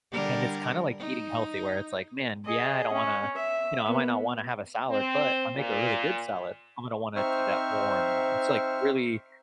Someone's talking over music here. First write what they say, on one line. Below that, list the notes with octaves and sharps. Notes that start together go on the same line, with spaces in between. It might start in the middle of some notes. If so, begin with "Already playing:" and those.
and it's kinda, like, eating healthy where it's, like, "Man, yeah, I don't wanna you know, I might not wanna have a salad, but if I make a really good salad, I'm gonna wanna do that more and more." It's, like, really
D3 G3 A#4
D#4
G#4 D#5
C#4
E5
A#3 B3
C4
A#2
C4 D#4 C5 E5 C#6 F6